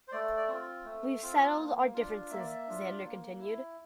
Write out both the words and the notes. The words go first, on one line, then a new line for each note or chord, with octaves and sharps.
"We've settled our differences," Zander continued.
C5
A3 D5
D5
C4 F4
A3
C4 F4
A#3
D4 F4
A#3 E5
D5
E5
D4 F4
A#3
E4